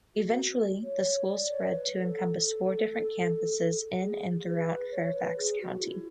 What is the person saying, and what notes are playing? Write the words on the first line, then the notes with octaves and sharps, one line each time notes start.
Eventually the school spread to encompass four different campuses in and throughout Fairfax county.
F#4
C#5
D5
C#5
B4
A4
G#4
B4
C#5
B4
G#4
F#4
E4